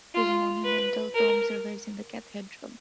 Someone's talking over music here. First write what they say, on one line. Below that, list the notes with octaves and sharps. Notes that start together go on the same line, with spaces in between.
His monumental tomb survives in the cathedral.
F4
B4
A#4